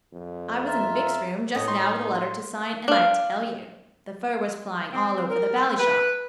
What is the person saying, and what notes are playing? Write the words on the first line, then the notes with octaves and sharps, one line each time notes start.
I was in Bick's room just now with a letter to sign, and I tell you, the fur was flying all over the bally shop.
F2
F4 E5 A#5
A2 A3 C#5 D#5
D#4 C6
F4
D4 F5
C4
A#4
B4